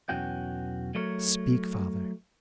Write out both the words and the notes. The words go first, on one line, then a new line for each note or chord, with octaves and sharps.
Speak, Father.
B1 E2 E3 C#4 F#4 G5
F#3 A3 A#4 C#5